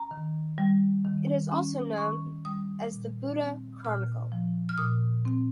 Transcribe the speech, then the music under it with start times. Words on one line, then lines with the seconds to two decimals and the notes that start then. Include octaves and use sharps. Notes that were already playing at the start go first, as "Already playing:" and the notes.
It is also known as the "Buda Chronicle".
Already playing: C#4 A#5
0.11 D#3
0.58 G3
1.05 D#3
1.52 C#4
1.98 D#3 C#6
2.45 G3 D#6
2.92 A#2
3.39 C4
3.84 A#2 F6
4.32 F3
4.69 F6
4.78 A#2 D#6
5.25 C4